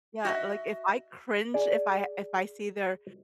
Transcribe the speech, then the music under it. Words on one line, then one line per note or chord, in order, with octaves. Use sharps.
Yeah, like, if I cringe, if I if I see their
F#4 D#5 E5
G#4 D5